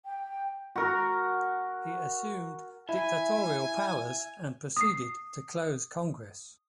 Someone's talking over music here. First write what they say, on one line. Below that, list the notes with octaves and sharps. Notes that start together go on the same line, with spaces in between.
He assumed dictatorial powers and proceeded to close Congress.
G5
F#4 A#4
E4 E5 G#5
D#6 C7